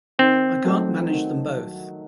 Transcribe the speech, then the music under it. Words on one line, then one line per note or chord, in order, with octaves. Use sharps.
I can't manage them both.
D#3 C4
F#3 A3 D#4
D#3